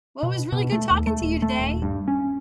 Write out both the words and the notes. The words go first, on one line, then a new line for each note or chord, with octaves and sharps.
Well, it was really good talking to you today.
B2
B2
A3
D#2
A3
D#1
A3
D#1
G2
C#4